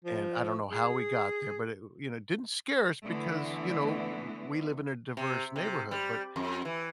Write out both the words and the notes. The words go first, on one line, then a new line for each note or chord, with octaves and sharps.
and I don't know how we got there, but i it, you know, didn't scare us because, you know, w we live in a diverse neighborhood, but
F3
G#4
D3 E3 A3 B3
C3
C3
G3
F2
E3